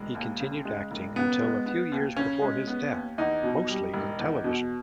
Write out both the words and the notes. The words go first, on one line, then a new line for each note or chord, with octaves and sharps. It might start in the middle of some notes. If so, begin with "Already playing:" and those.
He continued acting until a few years before his death, mostly on television.
Already playing: E1 G#3
D#2
C#3
G#3
E1
C#3 B3
G#3
B3
D#2
C#3 C#4
G#3
B3
D#2
E2 D#4
B2
G3
E1
E2
B2